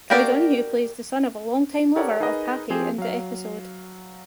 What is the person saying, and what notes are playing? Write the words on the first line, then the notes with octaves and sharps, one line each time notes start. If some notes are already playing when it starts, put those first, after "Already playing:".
Troy Donahue plays the son of a long-time lover of Pappy in the episode.
A#3 F#4 G4 A#4 D5
G4 A4 A#4 C#5 D5 F#5
D#4 G#4 A#4 B4 D#5
F3 C4 G4 G#4 C5
F#3 F5